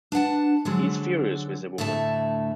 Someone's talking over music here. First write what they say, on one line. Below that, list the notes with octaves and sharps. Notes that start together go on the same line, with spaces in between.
He is furious with the woman.
D4 B4 F#5 A5
D3 F3 F#3 G#3
D2 A2 A3 E5 A5